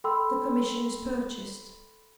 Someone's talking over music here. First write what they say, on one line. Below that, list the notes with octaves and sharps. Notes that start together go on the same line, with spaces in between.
The commission is purchased.
A4 G5 B5 C6 E6